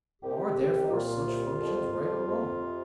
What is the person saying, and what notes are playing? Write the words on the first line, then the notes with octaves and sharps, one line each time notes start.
Are, therefore, such functions right or wrong?
C2 G4
C2
D#4
A#2 F4
C2
F2
F2
F2
C3